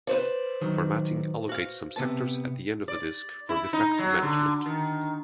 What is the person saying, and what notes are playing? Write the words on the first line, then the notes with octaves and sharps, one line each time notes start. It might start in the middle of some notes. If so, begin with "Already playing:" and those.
Formatting allocates some sectors at the end of the disk for defect management.
B4 C5 D5
D#3 F#3
F#4 F5
C3 B3 A5
D5
E4
D#4
F#3
D3
D#3